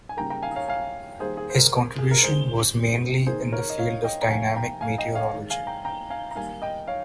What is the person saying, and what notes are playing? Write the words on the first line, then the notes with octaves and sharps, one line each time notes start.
His contribution was mainly in the field of dynamic meteorology.
G#5
C#3 G3 A#3 G5 A#5
G5 A#5
F5 G#5
C#5 F5
F5 G#5
D#3 G3 A#3 G#4 C5
G#4
C5
A#4
G#4
A#4
D#3 G#3 G#4 C5
D#3 A#3 G#4 C5
A#4 C#5
D#5
C#5 F5
D#5 G5
A#5
C3 F3 A#3 F5 G#5
G5 A#5
F5 G#5
D#5 G5
C#5 F5
D#3 G#3
F5 G#5
G5 A#5
G5 A#5
F5 G#5
A#5
D#3 G3 A#3 F5 G#5
D#5 G5
C#5 F5